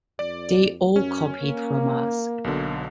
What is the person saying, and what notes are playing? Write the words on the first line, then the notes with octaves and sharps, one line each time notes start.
They all copied from us.
F2 D5
F#2 C#4
A#3
B1 B2 D3